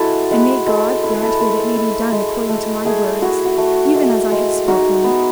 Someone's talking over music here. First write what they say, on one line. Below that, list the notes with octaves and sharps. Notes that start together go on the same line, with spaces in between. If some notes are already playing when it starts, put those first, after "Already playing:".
And may God grant that it may be done according to my words, even as I have spoken.
Already playing: G#3 E4 F#4 A4 B4
G#3 B4
G#3 A4
E4 A4
B4
A4
G#3
E4
G#3
A3
A3 G#4
E4 F#4
F#4
A3
G#3
G#3
D#4 F#4
B3